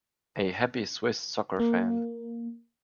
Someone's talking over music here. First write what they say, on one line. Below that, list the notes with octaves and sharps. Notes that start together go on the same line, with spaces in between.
A happy Swiss soccer fan.
A#3